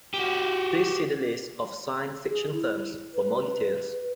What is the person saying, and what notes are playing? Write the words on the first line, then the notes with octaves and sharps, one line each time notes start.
Please see the list of science fiction films for more details.
F#4 G4
G#4
E4
B4